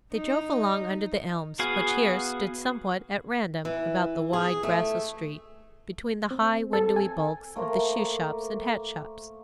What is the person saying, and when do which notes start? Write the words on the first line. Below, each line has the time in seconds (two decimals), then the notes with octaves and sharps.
They drove along under the elms which here stood somewhat at random about the wide, grassless street, between the high, windowy bulks of the shoe shops and hat shops.
0.14 D#4
1.59 B3 F#4 G#4 F5 G#5
3.65 E3
4.33 G#4
4.63 A3
6.31 C4
6.73 A4
6.96 G#5
7.55 A3 A#3 C5 A#5